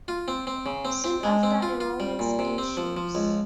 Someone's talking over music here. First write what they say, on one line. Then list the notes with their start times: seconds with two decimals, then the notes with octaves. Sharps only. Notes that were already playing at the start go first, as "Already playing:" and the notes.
Soon after, a romance ensues.
0.08 F4
0.28 C4
0.47 C4
0.66 C#3
0.85 C4
1.04 C4
1.23 G#3
1.43 C4
1.63 F4
1.80 F4
2.00 G3
2.19 A#2
2.39 C3
2.58 C4
2.77 F3
2.97 F3
3.15 C#2